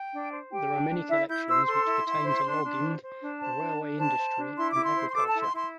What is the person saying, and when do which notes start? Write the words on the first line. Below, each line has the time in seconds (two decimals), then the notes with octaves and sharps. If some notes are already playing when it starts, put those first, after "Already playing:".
There are many collections which pertain to logging, the railway industry and agriculture.
Already playing: G5
0.13 D4
0.32 C5
0.51 G4 G5
0.70 D4
0.89 D4
1.09 E4 E5
1.28 E4 G6
1.48 C5 E6
1.66 A4 C6
1.86 E4
2.05 E4
2.25 C5
2.44 D4
2.64 D4
2.82 C5
3.02 C5
3.21 D4
3.40 C5 A5
3.59 D4
3.80 D4
3.98 C5 A5
4.18 C5
4.37 D4
4.57 E4 C6
4.70 D6
4.76 E4
4.84 C6
4.95 C5
5.09 C6
5.14 A4 D6
5.28 A5
5.34 E4
5.43 C6
5.52 E4
5.57 C6